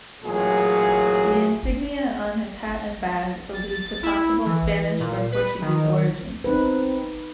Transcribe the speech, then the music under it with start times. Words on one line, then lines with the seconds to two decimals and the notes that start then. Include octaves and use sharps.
The insignia on his hat and bag allude to possible Spanish or Portuguese origins.
0.23 A1 A#2 F#3 G#4
3.54 A6
4.03 E4
4.46 E3
5.00 A#2
5.32 B4
5.62 D#3
6.44 C4 D#4 B4